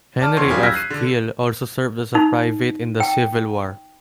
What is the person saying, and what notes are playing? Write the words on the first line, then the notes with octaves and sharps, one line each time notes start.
Henry F. Kiel also served as a private in the Civil War.
D5 A5 F6
F1 E2 C#5 C6 C7
F#3 G3 C#4 F4 G4 G#4
E6 F6 G6 G#6 A#6 B6
F#6 C7 D#7
D3
D#4
G5